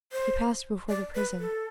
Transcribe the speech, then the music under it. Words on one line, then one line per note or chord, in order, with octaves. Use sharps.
He passed before the prison.
C5
D5
B4
A4